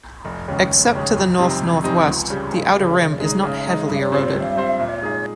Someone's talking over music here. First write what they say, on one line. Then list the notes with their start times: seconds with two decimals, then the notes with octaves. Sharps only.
Except to the north-northwest, the outer rim is not heavily eroded.
0.25 F1
0.48 D#2 C#3 G#3 C#4
0.70 F1
0.93 D#2 C#3 G#3 C#4
1.17 F2
1.39 C3 G3 C4 D#4
1.62 F2
1.84 C3 G3 C4 D#4
2.07 C#2
2.30 C#3 G3
2.52 C#2
2.75 C#3 G3
2.98 C#3
3.20 G#3 D#4
3.43 C#3
3.67 G#3 D#4
3.88 G2
4.12 G3 C4 F4 C5
4.34 G2
4.57 G3 C4 F4 C5
4.79 A#2
5.02 G#3 D#4 G#4